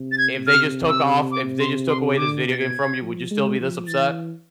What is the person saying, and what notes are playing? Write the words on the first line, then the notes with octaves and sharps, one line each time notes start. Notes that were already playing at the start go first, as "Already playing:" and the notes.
if they just took off if they just took away this video game from you, would you still be this upset?"
Already playing: C3
A6
G#6
F6
E6
D6
C6
C6
D3 D6
B2 A6
G#6
F3
G#3
F3
E3 A6